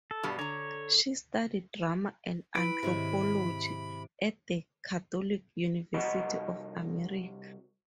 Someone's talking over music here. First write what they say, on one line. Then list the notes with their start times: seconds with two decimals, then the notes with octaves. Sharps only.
She studied drama and anthropology at The Catholic University of America.
0.11 A4
0.23 G2 B2 G3
0.39 D3 C#5 A#5
2.55 E4 B4 B5 D7
2.83 G#2 C3 D#3 E4 C#5
5.94 C2 F#4 D#5 F#5 B5